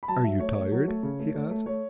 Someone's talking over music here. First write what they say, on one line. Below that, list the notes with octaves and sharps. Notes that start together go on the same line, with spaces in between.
"Are you tired?" he asked.
B5
F#3 A5
F#3 E5
A3 C#5
A3
F#3
A3
C#3
A3
A3
A3
A3 C#5